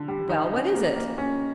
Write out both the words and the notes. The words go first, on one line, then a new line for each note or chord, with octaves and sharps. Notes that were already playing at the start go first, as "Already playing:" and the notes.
"Well, what is it?"
Already playing: D3
G3
D#4
C#4
A#3
A#3
C#4